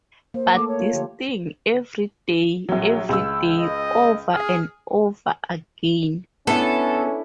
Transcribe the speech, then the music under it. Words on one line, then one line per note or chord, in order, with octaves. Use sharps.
But this thing-every day, every day, over and over again.
A#3 C5
A3 A#3 A4 D6
C#5
F4
D3 F3 G4
A#1 F#3
C#2 E6
D#5
G#4 F6
B3 C#4 D4 E4 A4